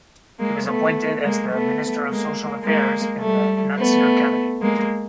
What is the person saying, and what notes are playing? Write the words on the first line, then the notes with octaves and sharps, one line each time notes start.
He was appointed as the Minister of Social Affairs in the Natsir Cabinet.
G#3 A#3
A3 B3
G#3 A#3
A3 B3
G#3 A#3
G#3 A#3
G3 A3
A3 B3
G#3 A#3